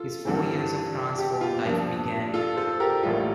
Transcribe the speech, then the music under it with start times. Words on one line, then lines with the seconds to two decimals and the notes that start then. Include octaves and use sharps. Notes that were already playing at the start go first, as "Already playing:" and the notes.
His four years of "transform" life began.
Already playing: F4 A4
0.25 G2 E3 G3 C4
1.18 G4
1.41 F4
1.65 G2 F3 A#3
2.34 F4 A4
2.57 A4 C5
2.80 G4 A#4
3.03 A1 A2 G3 A#3 F4 A4